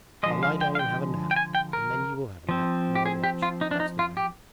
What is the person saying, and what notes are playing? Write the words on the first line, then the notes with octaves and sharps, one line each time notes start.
I'll lie down and have a nap, and then you will have a nap and I'll watch--that's the way.'
D3 F3 G#3 D#5
F5
G5
F5
G5
G5
G#5
G5
A#4
F3 C4
G4
G#4
G4
F4
D#4
D4
D#4
F4
G4